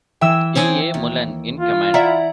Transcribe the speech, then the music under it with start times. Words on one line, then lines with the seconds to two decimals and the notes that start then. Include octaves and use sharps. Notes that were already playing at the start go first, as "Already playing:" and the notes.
E. A. Mullan in command.
0.21 E3 E5 G5 E6
0.55 C4 C#4 G#4
0.94 D#2
1.59 F4
1.94 E4 D5 F#5 A#5